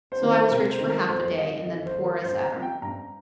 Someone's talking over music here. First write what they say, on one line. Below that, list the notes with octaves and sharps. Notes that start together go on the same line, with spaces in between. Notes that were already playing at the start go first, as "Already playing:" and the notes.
"So I was rich for half a day, and then poor as ever."
C5
D#3 C4 D#4
C5
C3 A#4
C5
D#3 C4 D#4
A#4
F2 C5
D#3 G3 D#5
F2 D#5
C5
D#3 G3
A#4
G2 C5
A#5
F3 C4
G5
G2 A#5